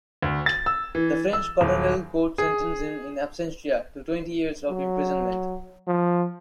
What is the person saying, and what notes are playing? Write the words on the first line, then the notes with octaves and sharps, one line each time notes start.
The French colonial court sentenced him "in absentia" to twenty years of imprisonment.
D2
A6
E6
E3
E6
D#1
G#4
F#3
F3